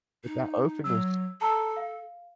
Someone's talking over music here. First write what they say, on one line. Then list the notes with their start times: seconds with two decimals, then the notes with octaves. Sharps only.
but that openness
0.24 D#4
0.84 F#3 E6
1.41 A4 A5 A#5 E6
1.77 F5